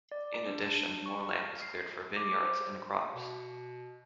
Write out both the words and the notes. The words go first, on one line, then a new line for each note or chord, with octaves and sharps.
In addition, more land was cleared for vineyards and crops.
D5
D4
C#6
F6
C7
D6
C5
B2